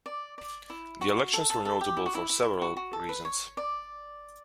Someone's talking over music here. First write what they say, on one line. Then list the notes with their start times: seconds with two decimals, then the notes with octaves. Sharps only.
The elections were notable for several reasons.
0.06 D5
0.38 D5
0.70 E4
1.01 F#4
1.33 A4
1.50 A4
1.65 A4
1.81 G4
1.97 E4
2.06 F#4
2.15 E4
2.29 E4
2.62 F#4
2.77 F#4
2.93 A4
3.09 B4
3.25 C#5
3.57 D5